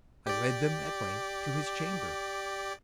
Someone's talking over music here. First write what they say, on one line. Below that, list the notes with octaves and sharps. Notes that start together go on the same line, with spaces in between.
I led them, at length, to his chamber.
G4 D5